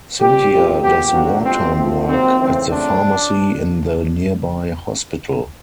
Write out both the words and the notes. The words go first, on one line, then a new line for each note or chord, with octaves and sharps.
Cynthia does war-time work at the pharmacy in the nearby hospital.
A#2 G3 C4 G4
A#2 F3 G#3 C4
A#2 F#3 B3 G4
F2 D3 F#3 A#3 F#4
F2 C3 F3 C4
G#2 F3 A3 C4
C3 D#3 F#3 A#3 C4
C#3 E3 A3 C4
C#3 F3 A3 D4